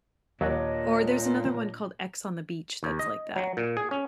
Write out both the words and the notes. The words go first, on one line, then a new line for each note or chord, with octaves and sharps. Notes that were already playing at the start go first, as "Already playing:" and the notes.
Or there's another one called X on the Beach that's like that.
D#2 A#2 F#3 D4 C#5 D#5
D#2
D#5
F#3
A#2
G#4
C#4